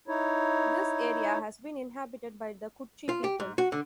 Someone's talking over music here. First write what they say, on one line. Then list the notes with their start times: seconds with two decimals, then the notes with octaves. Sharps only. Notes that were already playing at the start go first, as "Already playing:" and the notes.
This area has been inhabited by the Kutchi people.
0.08 D#4 E4 C#5
3.09 F4
3.24 G4
3.40 G#2
3.58 F#4
3.72 D3